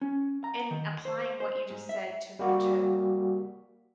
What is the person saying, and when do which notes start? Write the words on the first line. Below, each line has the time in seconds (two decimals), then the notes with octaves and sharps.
In applying what you just said to m to,
0.01 C#4
0.44 A#5
0.71 D#3
1.05 C5
1.40 C5
1.70 G#2
1.89 E5
2.39 G3 A#3 F#4 G4